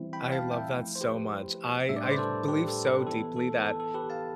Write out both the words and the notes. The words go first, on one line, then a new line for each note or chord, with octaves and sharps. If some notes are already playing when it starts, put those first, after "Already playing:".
I love that so much. I I believe so deeply that
Already playing: E3 G3 C4 E4
G5 B5
F5 A5
E5 G5
F3 A3 E4
C5
G4 B4
A2 G3 D4 E5
D5
C5
B4 D5
A4 C5
G4 B4
A4
G4 B4
E3 B3 E4 A4
A4
B4
A4
A4
G4 B4
F5 A5